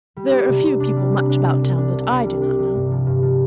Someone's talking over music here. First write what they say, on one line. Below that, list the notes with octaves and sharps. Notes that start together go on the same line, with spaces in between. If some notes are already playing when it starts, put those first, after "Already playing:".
There are few people much about town that I do not know.
G3
D4
C3
C3
D4
G3
C3
D4
D4
C2
D4
C3
C2
G3
D4
C3
G2
F3
G2
F3